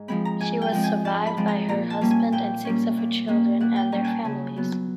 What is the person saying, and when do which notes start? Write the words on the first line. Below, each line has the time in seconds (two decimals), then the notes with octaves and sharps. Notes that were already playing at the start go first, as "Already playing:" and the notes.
She was survived by her husband, and six of her children and their families.
Already playing: G#2
0.08 F3 G#3 C4 B5
0.25 A#5
0.40 G#2 G#5
0.62 G5
0.72 F3 G#3 C4
0.84 G#5
1.05 G#2 A5
1.27 B5
1.37 F3 G#3 C4
1.48 A#5
1.68 A#2 A#5
1.90 A5
2.01 G3 A#3 C#4
2.11 G#5
2.32 A#2 G5
2.65 G3 A#3 C#4
2.97 A#2
3.28 G3 A#3 C#4
3.60 A#2 F#5
3.76 G5
3.92 G3 A#3 C#4 A#5
4.04 G#5 A5
4.25 C#3 G#5
4.56 F#3 B3